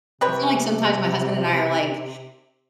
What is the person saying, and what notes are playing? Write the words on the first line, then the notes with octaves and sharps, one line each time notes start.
I feel like, sometimes, my husband and I are, like,
C3 C4 B4 C#5